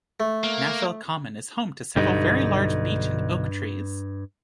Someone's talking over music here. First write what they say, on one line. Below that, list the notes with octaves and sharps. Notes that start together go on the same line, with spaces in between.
Naphill Common is home to several very large beech and oak trees.
A3
A#3
B1 G2 D3 D#4